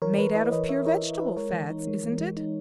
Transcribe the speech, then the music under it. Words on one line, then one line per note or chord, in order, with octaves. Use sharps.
"Made out of pure vegetable fats, isn't it?"
E3 A#4 C#5
E3 B4
E4 B4 D#5
E3 B4 D#5
E3 C#5 E5
E4 A#4 C#5
E4
E4 B4
G#3 A#4 C#5
E3
D#4
G#3
E3
G#3
D#4